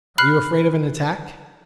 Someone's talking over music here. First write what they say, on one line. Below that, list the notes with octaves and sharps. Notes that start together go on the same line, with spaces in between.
Are you afraid of an attack?
B5 F6 F#6 C7